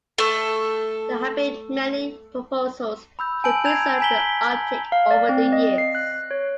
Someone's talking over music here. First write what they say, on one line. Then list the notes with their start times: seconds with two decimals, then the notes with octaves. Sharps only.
There have been many proposals to preserve the Arctic over the years.
0.18 A3 A4
3.19 B5 E6 G6
3.44 G#5 A5 E6 G6 D7 F#7
3.64 G#5 A#5 G6 G#6 F7
4.00 G#5 A#5 B6 F#7 G7
4.92 F5
5.11 D5
5.29 C4
5.53 D#5
5.78 C7
5.95 F#6
6.31 C#5